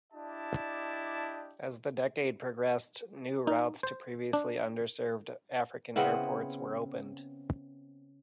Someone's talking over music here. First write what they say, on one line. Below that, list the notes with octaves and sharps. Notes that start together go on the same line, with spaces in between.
As the decade progressed, new routes to previously under-served African airports were opened.
D4 E4 G4 D5 D#5 A5
D#4
C5
D4
C#3 B3 C4 E4